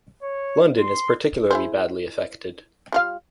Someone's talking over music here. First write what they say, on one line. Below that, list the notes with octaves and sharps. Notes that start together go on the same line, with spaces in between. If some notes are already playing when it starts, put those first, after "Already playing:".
London is particularly badly affected.
C#5
C6
E4 G#4 C5
G3 F4 F5